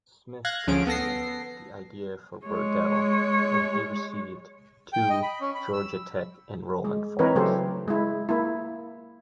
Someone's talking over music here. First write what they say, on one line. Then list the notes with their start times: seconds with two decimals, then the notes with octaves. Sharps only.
Smith conceived the idea for Burdell when he received two Georgia Tech enrollment forms.
0.45 F5 F#6 G#6 A#6
0.67 D2 F3 C#4 G#4 D7
0.87 B3 A4 A#6 C7
2.46 G#3 C#5
4.93 G5
5.10 D#5
5.23 B5
5.41 C#4
5.55 B5
5.73 E6
6.85 G#3
7.19 E3 C4 D#4 A#4 B4 C#5
7.35 C#3 F#3 A3 G4 A4 C5
7.88 G#3 E4
8.29 A#3 E4